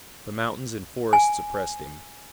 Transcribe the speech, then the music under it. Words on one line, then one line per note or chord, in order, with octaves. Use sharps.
The mountains and forests oppressed him.
G#5